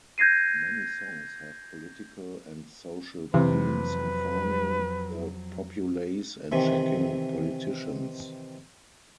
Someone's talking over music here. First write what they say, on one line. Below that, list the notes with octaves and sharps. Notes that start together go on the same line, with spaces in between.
Many songs have political and social themes, informing the populace and checking politicians.
G6 G#6 A#6 C7 D#7
F2 C3 E3 F#3 B4
C3 D#3 E3